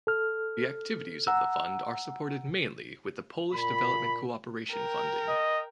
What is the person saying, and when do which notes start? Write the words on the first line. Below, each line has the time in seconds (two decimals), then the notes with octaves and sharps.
The activities of the Fund are supported mainly with the Polish Development Cooperation funding.
0.07 A4 F6
1.27 F#5 A#5 E6
3.53 A#2 B5
4.71 A#4 G5
5.28 D#5